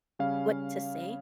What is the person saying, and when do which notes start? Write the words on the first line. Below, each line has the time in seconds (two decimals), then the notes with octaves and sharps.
what to say,
0.19 C#3 G3 C#4 F5